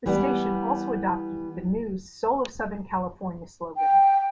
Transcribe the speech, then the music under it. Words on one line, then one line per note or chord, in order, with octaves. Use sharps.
The station also adopted the new "Soul of Southern California" slogan.
E3 G3 B3
G5